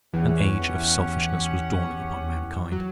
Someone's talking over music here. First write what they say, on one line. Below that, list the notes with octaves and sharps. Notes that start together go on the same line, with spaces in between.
An age of selfishness was dawning upon mankind.
E2 E3 C#4 G4 C#5 F#5
F#3